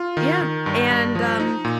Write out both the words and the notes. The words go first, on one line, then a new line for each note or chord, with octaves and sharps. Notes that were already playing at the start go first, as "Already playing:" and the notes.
Yeah, and, um,
Already playing: F4
D#3
D#3
G2
G2
F3
D#4
A#2